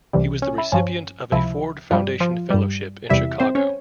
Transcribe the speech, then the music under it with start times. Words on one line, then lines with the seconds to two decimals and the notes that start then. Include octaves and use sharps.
He was the recipient of a Ford Foundation fellowship in Chicago.
0.13 C2 C3 E3 G3
0.42 C#4
0.58 E4
0.72 G2 F3 C#4
1.32 C#2 C3 F3 E4
1.91 G2 F3 G3 F4
2.20 F3 F4
2.50 G2 G3
3.10 E2 C3 G3 E4 E5
3.40 C4 C5
3.55 C#4 C#5